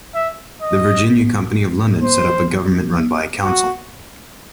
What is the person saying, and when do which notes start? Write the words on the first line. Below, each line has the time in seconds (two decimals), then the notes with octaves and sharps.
The Virginia Company of London set up a government run by a council.
0.15 E5
0.62 D#5
2.02 C5
3.43 F#4